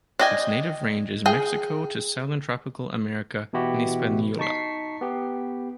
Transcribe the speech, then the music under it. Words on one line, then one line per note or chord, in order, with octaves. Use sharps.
Its native range is Mexico to southern Tropical America and Hispaniola.
D4 D5 D#5 G5 G#5
G#4 G5
B2 E3 E4 F#4 G4
D#4 A5 C#6 B6 C7
B3 G4